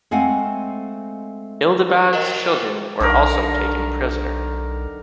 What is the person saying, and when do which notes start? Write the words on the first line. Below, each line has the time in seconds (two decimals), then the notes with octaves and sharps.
Ildibad's children were also taken prisoner.
0.11 G#3 A3 C4 F5 F#5 G#5
2.13 D4 D#4 F#4 A#4 C5 D#5 G5
3.00 B1 D3 D#3 A#4